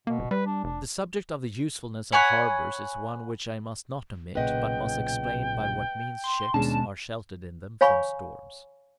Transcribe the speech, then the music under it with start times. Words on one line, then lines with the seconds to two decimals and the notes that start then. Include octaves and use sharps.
The subject of the usefulness of harbours is one which I must not omit, but must explain by what means ships are sheltered in them from storms.
0.07 B2 A#3
0.19 D#1
0.31 G3 B4
0.46 D4
0.64 F1 D4
2.12 C#5 F#5 G#5 B5
4.35 B1 A#2 C#3 B4 D#5 F#5 G5
6.24 C6
6.54 D#2 B2 G#3 C#4 D4 A5
7.81 C#5 F5 G#5 B5 C#6